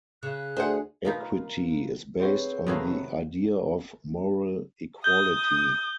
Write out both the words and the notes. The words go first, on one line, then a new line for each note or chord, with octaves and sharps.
Equity is based on the idea of moral equality.
C#3 F#6
D2 G#4 C5 F#5
B2 B3 D#4 F4 A#4 B4
C4 G#4 B4 C#5 F#5
C3 D#3 F#3 G#3 A#3 B3 A4
D#6 G6 G7